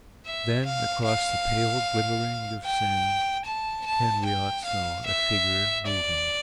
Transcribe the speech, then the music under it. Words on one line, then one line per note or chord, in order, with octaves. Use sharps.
Then, across the pale glimmering of sand, Henriot saw a figure moving.
E5
F5
F5
G5
A5
A5
G5
F5
E5
D5